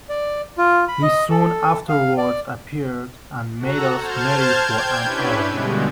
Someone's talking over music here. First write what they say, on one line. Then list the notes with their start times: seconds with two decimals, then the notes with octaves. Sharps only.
He soon afterwards appeared and made us merry for an hour.
0.09 D5
0.58 F4
0.88 B5
1.02 D#5
1.30 A4
1.89 F5
2.17 D5
3.57 F#4 A4 F#5 A#5
3.96 C5 A5 F6 G6 G#6
4.60 G5 G6 G#6
4.99 C#4 D4 E4 G4 B4
5.46 G2 B2 D3 G#3